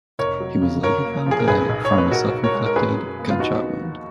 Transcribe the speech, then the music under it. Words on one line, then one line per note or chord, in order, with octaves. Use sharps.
He was later found dead from a self-inflicted gunshot wound.
F1 A#4 C#5
F#3
C#3
F#2 A#4 C#5
A#3
F3 G#4
A#4
B1 G#4 B4
B1
C#5
A#3
B4
B1 F#4 A#4
B1
A#4 C#5
G#3
A#4
F#2 G#4 B4
F#2
A#3
F4
D#2 D#4 F#4
B3
F3